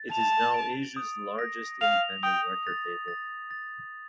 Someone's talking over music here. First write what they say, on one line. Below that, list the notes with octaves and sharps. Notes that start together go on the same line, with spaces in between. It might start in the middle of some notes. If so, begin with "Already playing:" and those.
It is now Asia's largest independent record label.
Already playing: A6
A5 F7
D7
D#6
A#6
F5 F7
G5 D#6
A6
A6
A6